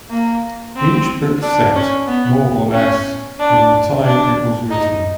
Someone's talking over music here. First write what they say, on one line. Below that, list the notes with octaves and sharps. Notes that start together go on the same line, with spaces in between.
Each book set, more or less, in the time it was written.
A#3
C4
D4
C#4
B3
C#4
D4
D4
D#4